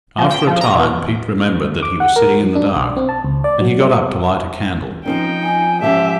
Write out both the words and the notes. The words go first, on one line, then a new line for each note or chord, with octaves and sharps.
After a time, Pete remembered that he was sitting in the dark, and he got up to light a candle.
F3
G5
F3
A#5
B2
D6
F#5
A#4
F#3
D4
B1
C4
A5
C#2
D5
F#3
G3
F3 C4 C#4 D#4 G5
G#5
G#2 F3 C#4 G4 E5 A5